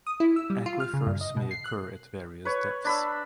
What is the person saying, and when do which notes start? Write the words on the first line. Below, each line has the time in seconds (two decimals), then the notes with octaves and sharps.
Aquifers may occur at various depths.
0.07 D#6
0.20 E4
0.36 E6
0.50 G3
0.66 F4
0.80 F6
0.93 C#3
1.07 G2
1.21 D#5
1.37 B2
1.51 C7
1.64 F#6
2.45 B4 C#5
2.85 D4 B5 E6